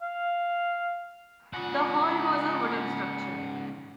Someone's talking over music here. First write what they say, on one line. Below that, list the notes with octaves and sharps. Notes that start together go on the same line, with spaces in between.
The hall was a wooden structure.
F5
G#2 C#3 F4 F#5